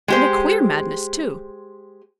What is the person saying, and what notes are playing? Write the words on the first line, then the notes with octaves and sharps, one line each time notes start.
And a queer madness, too.
G#3 G4 C5